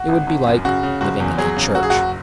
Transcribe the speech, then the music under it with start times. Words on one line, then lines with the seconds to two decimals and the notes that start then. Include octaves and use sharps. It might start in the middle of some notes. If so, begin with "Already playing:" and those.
It would be like living in a church.
Already playing: F#4
0.09 G#1
0.27 G#1
0.47 F#2
0.65 C#3 F#4
0.83 C#3
1.01 F#1 F#4
1.20 E2
1.38 F#3 G#4
1.57 C#3
1.75 F#3 F#4
1.83 G#4
1.90 F#1 F#4